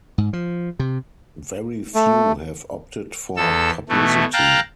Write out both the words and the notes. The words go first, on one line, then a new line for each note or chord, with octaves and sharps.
Very few have opted for publicity.
G#2
F3
C3
A3
E2 A4 E6
B2 E3 A3
F5 G5 A5 A#5 F6 F#6